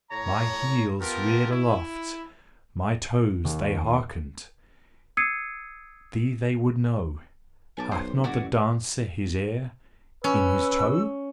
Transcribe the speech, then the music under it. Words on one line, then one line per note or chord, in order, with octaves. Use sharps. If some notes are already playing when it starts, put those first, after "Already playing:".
My heels reared aloft, my toes they hearkened,--thee they would know: hath not the dancer his ear--in his toe!
A2 C#5 A#5
B3 F4 G4 A4 A#4
E4
D#2
D#6 E6 G#6 C7 C#7 D#7
B1 G#5 A5 D6
C5
F#1 E4 F#4 D5
A1
C#4 B4 E6